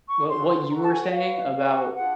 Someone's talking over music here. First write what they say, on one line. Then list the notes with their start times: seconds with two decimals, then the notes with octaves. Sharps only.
wh what you were saying about
0.09 C#6
0.29 C#4 F#4 A4 C6
0.50 C6
0.71 C#4 F#4 A4 A#5
0.82 A5
0.92 G#5
1.02 G5
1.13 F#4 B4 F5
1.55 F#4 B4
1.95 D4 F4 G#4 F#5